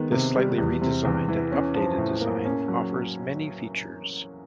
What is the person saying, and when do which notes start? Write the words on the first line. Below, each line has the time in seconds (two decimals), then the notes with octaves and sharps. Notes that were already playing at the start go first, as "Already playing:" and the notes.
This slightly redesigned and updated design offers many features.
Already playing: D#3 G#3 B3
0.12 C3
0.35 G3
0.58 E2
0.81 C3
1.05 E2
1.28 E3
1.52 C#4
1.75 F3
1.98 A2
2.21 A#3
2.45 C#4
2.68 F#3